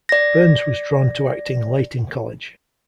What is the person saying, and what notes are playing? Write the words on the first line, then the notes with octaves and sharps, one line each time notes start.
Burns was drawn to acting late in college.
D5 A#6